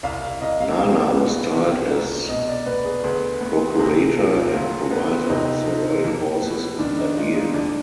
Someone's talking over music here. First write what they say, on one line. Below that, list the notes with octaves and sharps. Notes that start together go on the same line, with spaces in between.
Nana was styled as ""procurator" and "provisor" of the royal horses" in that year.
C2 F5
F5
C2 D#5
F5
B2 F5
B3
C2
C2
B2 D#5
D5
B3 B4
G#4
D2 B4
B3
C3 G#4
F3 F4
F4
D2
B3
C3 D#4
F3
F2
B3
D#3 D4
D#4
G#3 F4
D#4
F2 D4